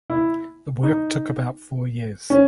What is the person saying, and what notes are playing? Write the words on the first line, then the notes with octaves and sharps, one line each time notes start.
The work took about four years.
E4
D#4
C#4